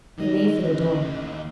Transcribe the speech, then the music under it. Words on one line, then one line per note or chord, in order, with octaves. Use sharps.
He made for the door.
D#2 D#3 D#5
A1